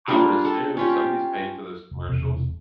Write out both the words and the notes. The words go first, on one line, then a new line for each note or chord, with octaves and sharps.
I would assume somebody's paying for those commercials.
G3 A#3 D4 F4
A4
C#4 F4 G4
F1
E1 C3